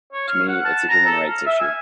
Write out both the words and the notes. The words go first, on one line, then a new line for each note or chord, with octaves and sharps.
To me, it's a human rights issue.
C#5
F5
F#5
A5
A#5
A4
F5
E5
G#5